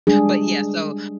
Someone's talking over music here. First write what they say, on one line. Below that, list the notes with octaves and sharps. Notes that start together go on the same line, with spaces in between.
But yeah, so
G3 G#3 D4 G#4